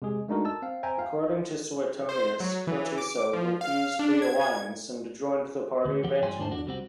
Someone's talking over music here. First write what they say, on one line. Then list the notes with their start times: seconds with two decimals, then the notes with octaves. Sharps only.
According to Suetonius, Cotiso refused the alliance and joined the party of Antony.
0.02 C3 G#3 G#4
0.28 G#3 A3 D4 D#4 F#4 A#4
0.45 A5 E6
0.62 C4 F5
0.83 C5 E5 G5 G#5 A#5
0.99 F5
2.09 C5
2.40 F#3
2.67 E3
2.98 D6
3.33 F3
3.61 F5
3.99 D4
4.22 G#6
5.85 D2
6.04 E3 G4 F#5
6.22 G2 E3 D5 G5 G#5 C6
6.39 D#2 G#2 D4 C5 A5
6.51 E2 D4 F#4
6.66 C2 G3 C4 F#4